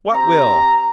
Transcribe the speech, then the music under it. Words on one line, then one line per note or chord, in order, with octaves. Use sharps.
"What will?"
C4 G4 A#5